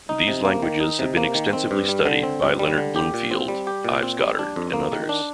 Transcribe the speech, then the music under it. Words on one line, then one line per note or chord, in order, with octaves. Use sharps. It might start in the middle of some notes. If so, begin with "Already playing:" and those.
These languages have been extensively studied by Leonard Bloomfield, Ives Goddard, and others.
D#4
C3
A#3
D#3
D#4
C3
A#3
D#3
C4
G2
G3
D3
C4
G2
G3
D3
G4
A#2
C4
G3
G4
A#2
C4
G3
D4
F2
A#3
D#3
D4